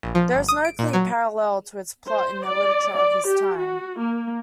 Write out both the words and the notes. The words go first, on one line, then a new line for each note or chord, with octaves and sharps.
There is no clear parallel to its plot in the literature of his time.
A#1
F3
G1
D#6
D7
A#2
F#3
C5
D5
D5
G4
F#4
A#3